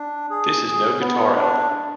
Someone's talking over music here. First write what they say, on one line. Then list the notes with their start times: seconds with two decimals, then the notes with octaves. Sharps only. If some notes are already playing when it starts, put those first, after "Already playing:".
This is no guitar album.
Already playing: D4
0.30 G#4
0.66 G#4
1.00 B3
1.36 D4